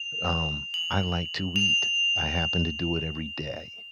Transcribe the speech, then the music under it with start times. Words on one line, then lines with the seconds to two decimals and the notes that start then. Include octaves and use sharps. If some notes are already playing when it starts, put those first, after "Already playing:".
um, I like to eat. I happen to do it every day,
Already playing: F7
0.74 F#7
1.56 F7